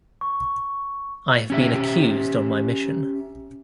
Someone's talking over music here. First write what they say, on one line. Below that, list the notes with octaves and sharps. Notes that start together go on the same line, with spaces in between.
I have been accused on my mission.
C#6
C#4 G4 E5